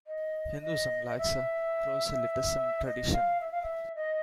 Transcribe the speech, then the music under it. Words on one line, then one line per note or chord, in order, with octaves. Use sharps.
Hinduism lacks a proselytism tradition.
D#5
D#5
E5
D#5
F5
E5
F5
E5
D#5